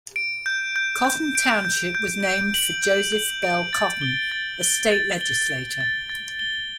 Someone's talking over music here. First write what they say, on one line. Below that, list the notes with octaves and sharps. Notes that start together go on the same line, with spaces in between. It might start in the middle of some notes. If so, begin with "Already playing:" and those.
Cotton Township was named for Joseph Bell Cotton, a state legislator.
D7
G6
G6
G6
D7
G6
G6
D7
F#7
G6
G6
D7
A6
G7
A6
G7
A6
G7
D7
A6
A6
G7